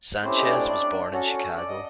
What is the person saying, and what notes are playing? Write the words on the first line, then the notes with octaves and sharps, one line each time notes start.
Sanchez was born in Chicago.
A3 C4 C#4 E4 G4 C5
D#5
D4 D5
D4 D5
C#4 F#4 A4
D5
D#5